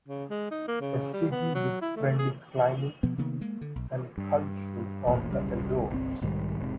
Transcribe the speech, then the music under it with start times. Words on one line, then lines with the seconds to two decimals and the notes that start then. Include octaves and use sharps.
A city with friendly climate and culture of the Azores.
0.08 C#3
0.30 G#3
0.51 D#4
0.68 A#3
0.81 C#3
1.13 G3
1.31 B3
1.55 F#3
1.81 E4
1.96 A3
2.18 G#4
3.03 B2 F3 B3
3.18 C3 D#3 A#3 B3
3.41 G#3 A#3
3.61 D3
3.76 B1
4.18 G2
5.07 E1 A1 E2 A#2
5.32 D#1 B1 C#3 G3
5.90 G1 C2 C3 C4
6.21 B1 G#2 D#3 G3
6.60 E1 G#2 C3